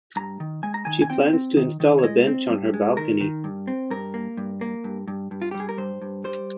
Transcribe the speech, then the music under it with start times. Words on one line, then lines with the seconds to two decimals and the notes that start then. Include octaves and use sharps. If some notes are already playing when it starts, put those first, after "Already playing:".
She plans to install a bench on her balcony.
0.16 G2 A#5
0.40 D#3
0.63 G#3 G#5
0.74 A#5
0.85 D#3 G#5
1.02 G#5
1.10 C4 G5
1.33 C4
1.57 D#3
1.80 D#3
1.99 C#5
2.03 G#3 D#5
2.27 C4
2.50 G2
2.74 G#3
2.97 D#3 A#4
3.21 D#3
3.44 G2
3.67 C4
3.90 G2 A#4
4.14 A#3
4.37 G2
4.61 A#3
4.84 G2
5.08 G2
5.31 G2
5.42 F4
5.51 G3 G4
5.60 G#4
5.69 A#4
5.78 G2 C5
6.02 G2
6.24 G3 C5